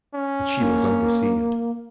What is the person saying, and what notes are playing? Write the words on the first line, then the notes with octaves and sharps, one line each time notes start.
But she was undeceived.
C#4
A#3